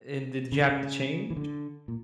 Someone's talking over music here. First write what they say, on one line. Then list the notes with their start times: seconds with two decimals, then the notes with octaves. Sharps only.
and did you have to change?
0.52 C#3
0.61 D3
0.69 C#3
1.30 E3
1.37 D3
1.88 A#2